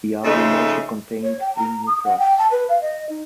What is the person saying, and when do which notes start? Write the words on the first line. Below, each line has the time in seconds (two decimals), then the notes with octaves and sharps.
The album also contained three new tracks.
0.24 C#3 F3 G#3 A3 D#4 A4
1.23 C#5
1.41 G5
1.56 A#5
1.87 D#6
2.05 F#5
2.19 G5
2.38 A5
2.51 B4
2.69 F5
2.82 D#5
3.09 D#4